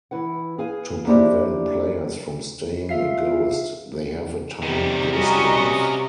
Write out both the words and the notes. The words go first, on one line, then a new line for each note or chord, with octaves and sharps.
To prevent players from staying a ghost, they have a timed ghost life.
E3 E4 B4 F#5
G#4 B4 F5 G#5
A#3 D4 E4 G4 C5 E5
F4 E5 F5 C7
C3 D#3 G3
G3 C#4 F#4 A#4 D#5 A#5 C#6